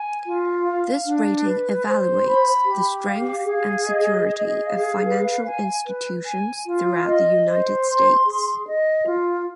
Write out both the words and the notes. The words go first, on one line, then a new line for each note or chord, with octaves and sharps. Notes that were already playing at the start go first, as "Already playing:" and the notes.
This rating evaluates the strength and security of financial institutions throughout the United States.
Already playing: G#5
F4
F5
D4
B4
C5
B5
G4
F5
G#4
D#5
G#4
F5
B4
G#5
B4
G#5
F4
D#5
C5
C6
G#4
D#5
F4